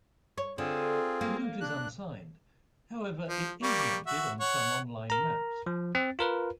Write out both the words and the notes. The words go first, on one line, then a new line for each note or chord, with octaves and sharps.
The route is unsigned; however, it is noted on some online maps.
C#5
D3 C4 F4 G#4
A#3
D4 F#6
F3
G3 A#3 C#6
F#4 E5
C#5 F#5
A#4 A#5
F3
C4
F4 A#4 B4